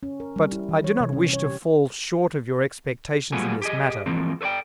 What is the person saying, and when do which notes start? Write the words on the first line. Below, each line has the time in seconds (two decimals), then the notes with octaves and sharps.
But I do not wish to fall short of your expectations in this matter.
0.03 C#4
0.20 A#4
0.36 G3
0.52 E4
0.69 E3
0.84 C#5
1.00 C3
1.13 C#4
1.33 C#5
1.45 G4
3.32 F#3 G3 A3 B3 F4 G#4
3.62 G4 G#4 D#5
4.06 E3 F3 G#3 A#3 C4
4.41 A4 B4 C#5 D5 G5